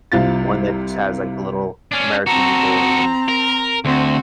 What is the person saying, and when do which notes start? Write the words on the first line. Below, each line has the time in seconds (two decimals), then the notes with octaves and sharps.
one that just has, like, the little American eagles and
0.12 C2 C3 F4 A6
1.92 C#4 D4
2.27 C4 F#4 A4 A#5
3.29 A#4
3.85 D2 C4 F#4